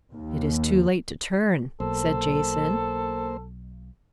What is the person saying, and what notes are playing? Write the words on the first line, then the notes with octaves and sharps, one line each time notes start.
"It is too late to turn," said Jason.
D#2
B1 A#3 A4 C5